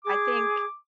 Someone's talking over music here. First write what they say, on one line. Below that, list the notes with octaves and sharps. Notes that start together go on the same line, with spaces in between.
I think
G#4 D6